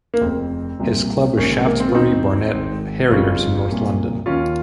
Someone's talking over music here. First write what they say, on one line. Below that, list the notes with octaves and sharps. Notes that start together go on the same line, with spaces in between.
His club is Shaftesbury Barnet Harriers in North London.
A#3
F1 F2 C#3 C4
C2 A#2 F3
A#1 G#2 D#3 A#3 C#4
C4
A#3
C4
F4
D#2 D#3 C4 D#4
G#1 G#2 D#3
G1 F2 C#3 F3 C#4 F4
C2 A#2 F3
D#2 D#3 C#4 F4